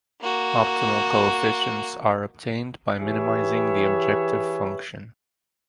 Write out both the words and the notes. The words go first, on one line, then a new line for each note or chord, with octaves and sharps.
Optimal coefficients are obtained by minimizing the objective function.
A#3 F#4
E3 G4 G#4 B4 C#5 E5